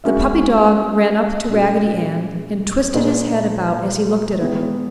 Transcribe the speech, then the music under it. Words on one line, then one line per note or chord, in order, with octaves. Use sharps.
The puppy dog ran up to Raggedy Ann and twisted his head about as he looked at her.
G#3 C#4 F#4 A#4 E5
A#2 G#3 C#4 F#4
A#2 A#3 D#4 G#4 B4
D#3 G#3 B3 E4 B4